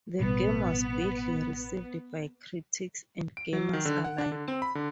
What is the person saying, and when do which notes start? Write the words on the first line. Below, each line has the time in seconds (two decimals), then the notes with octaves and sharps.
The game was badly received by critics and gamers alike.
0.20 A1 B2 G3 B3
3.37 D7
3.53 F#3
3.73 D#3
3.85 D3
4.04 F#5
4.18 D4
4.32 D3
4.48 C4
4.62 B5
4.75 D3